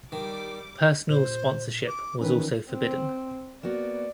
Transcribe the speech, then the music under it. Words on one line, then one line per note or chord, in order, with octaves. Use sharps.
Personal sponsorship was also forbidden.
D#3 G3 D6
A#2 C5
D6
D#3 E3 C#4 B4
C4
A#3 B3 F#4 D5